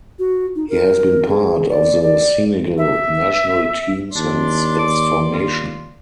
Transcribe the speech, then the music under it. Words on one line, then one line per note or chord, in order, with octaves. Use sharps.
He has been part of the Senegal national team since its formation.
F#4
D#4
A#4
G#4
D5
D5
E5
D#2 D4 D5 C6
D6
F4